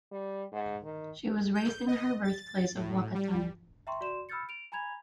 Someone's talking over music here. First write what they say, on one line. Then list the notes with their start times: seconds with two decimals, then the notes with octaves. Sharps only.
She was raised in her birthplace of Whakatane.
0.12 G3
0.52 G#2
0.83 D#3
1.55 G6
1.88 D#5
2.24 A6
2.75 A2
3.15 G3
3.87 E5 G5 A#5 C6 C#6
4.01 F#4 D5 C6 E7
4.29 B5 E6 F6 G6 A6 C#7
4.49 D7 F7
4.72 G#5 A#5 B5 G#6 F7